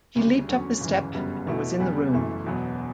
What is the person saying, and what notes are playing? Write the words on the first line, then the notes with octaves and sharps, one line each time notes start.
He leaped up the step and was in the room.
D2 C#3 G3 D4
E2 D3 F#3 C#4
G1 F#2 C#3 E3
G1 F#2 C#3 G3 B3
E1 E2 B2 A3 E4
E2 C#3 G3 B3
F#1 F#2 E3 A3 E4
E1 E2 B2 F#3 B3